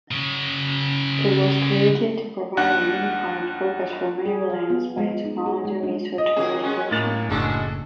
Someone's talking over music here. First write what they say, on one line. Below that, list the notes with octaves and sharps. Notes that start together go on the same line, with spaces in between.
It was created to provide a unified focus for Maryland's biotechnology research and education.
C#3 F#3
D#2 D4 F#5 F#6
G#4
F5
B3
G#3
D#4
G#4
G#3
D4
D#5
C3 D#3 F#3 G#4
G#3 C#4
A2 A#3 A6
F#1 G#3 D4 F#4 A4